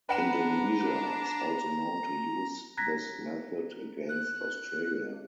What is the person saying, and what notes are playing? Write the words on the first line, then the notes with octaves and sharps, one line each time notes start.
Indonesia is also known to use this method against Australia.
D4 B4 F#5 A#5 E7
A#5 F#6 G#6 A#6 B6
F#6